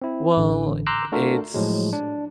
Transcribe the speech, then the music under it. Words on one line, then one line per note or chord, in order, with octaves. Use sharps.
Well, it's
C4 E4
A1 D3
A#5 C6 D6 E6 F#6 G6
A3 D4 F4 F#4 A4 A#4
A2 F3 F#3 G#3
D4